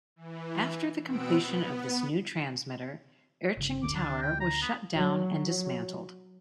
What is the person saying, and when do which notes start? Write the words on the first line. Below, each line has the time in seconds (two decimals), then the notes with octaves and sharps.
After the completion of this new transmitter, Erching tower was shut down and dismantled.
0.16 E3
1.04 B2 B3 C4 F#5 E6 D7
1.46 B3
3.57 G1 C#3
3.83 F#1 D2 D3 D6
3.95 D2 D3 D4
4.22 G5
4.40 A#5
4.62 B3
4.95 F#3